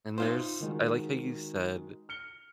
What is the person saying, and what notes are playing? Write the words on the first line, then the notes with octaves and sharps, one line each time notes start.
And there's I like how you said,
D#4 F4 C5
D#3 G#3 F#4
F6 C#7 G7